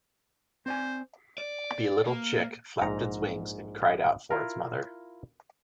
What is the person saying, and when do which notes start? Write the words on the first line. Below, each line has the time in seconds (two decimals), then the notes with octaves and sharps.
The little chick flapped its wings and cried out for its mother.
0.66 C4 C5 D5 G#5
1.38 D5
2.07 A#3
2.82 A#1 G#2 A#5
4.31 E4 F4 A#4